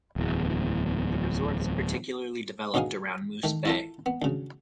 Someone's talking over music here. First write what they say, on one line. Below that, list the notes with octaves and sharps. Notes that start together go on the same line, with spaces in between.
The resort is particularly developed around Moose Bay.
D1 E2
D2 B2 D#4 G#4 F5 D#6
D#3 A3
E4 F4 A4
B3
D2 C#3